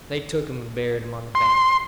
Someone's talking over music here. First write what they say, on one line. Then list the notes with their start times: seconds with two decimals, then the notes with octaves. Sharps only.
They took him and buried him on the bank.
1.35 C6